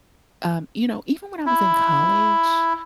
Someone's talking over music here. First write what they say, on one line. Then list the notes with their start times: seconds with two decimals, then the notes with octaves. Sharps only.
um, you know, even when I was in college,
1.46 E4